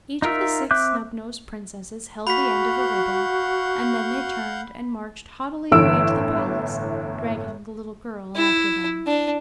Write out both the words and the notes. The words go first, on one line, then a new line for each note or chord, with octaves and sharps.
Each of the Six Snubnosed Princesses held the end of a ribbon, and then they turned and marched haughtily away to the palace, dragging the little girl after them.
D#4 F4 A#4 E5
C4 E5 D6 F#6 G6
F#4 F5 F#5 B5 G6 B6
G1 A2 E3 E6 D7
E4
D4